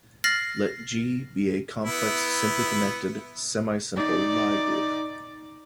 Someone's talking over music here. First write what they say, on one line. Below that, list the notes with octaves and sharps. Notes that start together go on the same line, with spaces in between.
Let "G" be a complex simply connected semisimple Lie group.
F6 A6 A#6 C7 F#7
B3 E4
D#4 D5